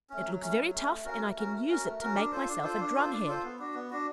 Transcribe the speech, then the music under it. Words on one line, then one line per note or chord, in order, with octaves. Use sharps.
It looks very tough and I can use it to make myself a drumhead.
A3 C#4
F#3
A3 C#4
F#3
A3 C#4
A3
C#4 F#4 A#4
A3
C#4 F#4 A#4
A3
C#4 F#4 A#4
A3
C#4 F#4 A#4
D4
F4 A4 C5
D4
F4 A4 C5
D4
F4 A4 C5
D4
F4 A4 C5
B3
D4 F#4
B3
D4 F#4